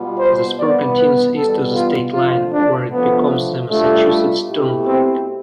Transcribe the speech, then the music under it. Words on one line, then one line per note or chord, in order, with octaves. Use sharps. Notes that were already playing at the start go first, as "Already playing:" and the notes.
The spur continues east to the state line, where it becomes the Massachusetts Turnpike.
Already playing: B2 G3 B3 F4
C5
G2 E3 B3 D5
B4
E2 B2 G3 B3 A4
F4
F2 D3 F3 A3 F4
D4
D3 F3 A3 B3
B2 G3 A3 D4 F4
B2 A3 E4 G4
C4